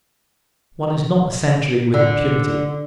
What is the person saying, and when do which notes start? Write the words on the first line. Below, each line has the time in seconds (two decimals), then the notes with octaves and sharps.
One is not a century with impunity.
1.94 D3